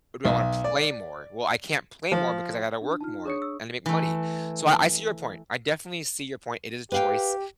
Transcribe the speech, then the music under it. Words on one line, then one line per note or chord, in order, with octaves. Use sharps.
or do I wanna play more? Well, I can't play more because I gotta work more, and to make money, so I I see your point. I definitely see your point. It is choice
B1
D5
F3
D4
D#4 F4 A5 F6
D4 G#4 C#5 C#6 D#6 C#7
E6
E3 A3
G4 B4 F5 G5